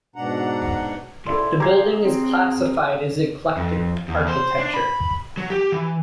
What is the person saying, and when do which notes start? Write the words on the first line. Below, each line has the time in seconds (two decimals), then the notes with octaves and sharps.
The building is classified as eclectic architecture.
0.16 G#2 B2 D4 F#5 A#5
1.26 G#2 E4 A4 D5 C6
1.60 G4 G#4 C5 F5 A#5 G#6
2.05 C4
3.57 F2
4.08 E2
4.28 C5
4.58 D4
4.74 B5
5.37 F#3
5.50 G4
5.72 E3